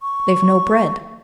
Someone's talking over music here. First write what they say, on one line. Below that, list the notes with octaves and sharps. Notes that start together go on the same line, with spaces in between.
They've no bread.
C#6